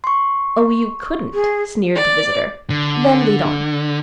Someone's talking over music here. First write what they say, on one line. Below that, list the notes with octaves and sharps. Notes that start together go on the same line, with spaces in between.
"Oh, you couldn't," sneered the visitor; "then lead on!"
C6 C#6
G#4
D5
D3